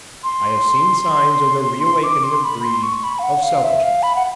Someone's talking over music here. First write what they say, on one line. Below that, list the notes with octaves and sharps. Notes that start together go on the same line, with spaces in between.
I have seen signs of the reawakening of greed, of selfishness.
C6
C6
D6
C6
B5
C6
C#6
B5
F5
F#5
F5
E5
F5
B5
F#5